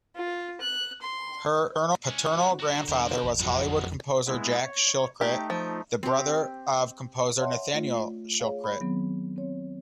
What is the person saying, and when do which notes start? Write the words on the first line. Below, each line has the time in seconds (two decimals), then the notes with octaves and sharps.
Her paternal grandfather was Hollywood composer Jack Shilkret, the brother of composer Nathaniel Shilkret.
0.16 F4
0.61 F#6
1.02 C6
2.08 G#3 C#4
2.31 F#4
2.60 D3 F#4 A#4
2.89 E2 A#4 C5
3.23 A1 E2
3.40 F2 A2 F#3 G#3
4.27 G#3 B3 E4
4.64 C#5
5.21 A3 D#4 G4
5.50 F3
6.03 C4 G4
7.38 C#5 D#5 E5 F#5 A5 C6
7.74 A3 F4
8.40 G#4 C#5 F5
8.64 B5
8.80 D#3 F#3 B3 C4
9.36 C4 C#5